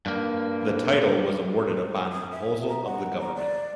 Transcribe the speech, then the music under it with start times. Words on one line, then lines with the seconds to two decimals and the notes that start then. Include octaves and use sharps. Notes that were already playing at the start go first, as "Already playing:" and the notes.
The title was awarded upon proposal of the government.
0.06 G2 A#3
2.12 D#6
2.31 E5
2.68 A#5
2.85 F#5
3.20 A#5
3.35 D5